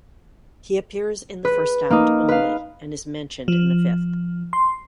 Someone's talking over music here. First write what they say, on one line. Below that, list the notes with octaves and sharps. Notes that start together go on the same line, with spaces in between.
He appears in the first act only and is mentioned in the fifth.
B4
A#3 D#4
B4 F5
F3
C6